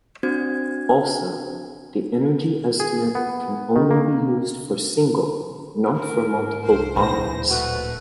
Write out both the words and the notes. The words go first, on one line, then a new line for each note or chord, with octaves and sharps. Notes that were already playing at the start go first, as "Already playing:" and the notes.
Also, the energy estimate can be only used for single, not for multiple bonds.
C4 D4 F#4 C5 G#6
G#4
B3
D#3
A#3
A#4
G#2
C2 F2 C5
D1 A#2 C#3 E3 C5 A#6
A#2 A3 F#4 B4